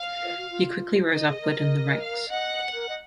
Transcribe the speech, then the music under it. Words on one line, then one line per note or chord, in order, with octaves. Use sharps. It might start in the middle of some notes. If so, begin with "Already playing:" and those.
He quickly rose upwards in the ranks.
Already playing: F5
F4
F#4
F4
D#4 D#5
G#4
A#4
F5
D#5 F#5
A#4
D#5